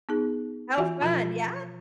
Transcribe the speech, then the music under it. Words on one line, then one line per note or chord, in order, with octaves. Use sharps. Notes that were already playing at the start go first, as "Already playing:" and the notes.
How fun, yeah.
B3 D#4 G#4
E3 F4 F#4 E5 G#5
B2 F3 F4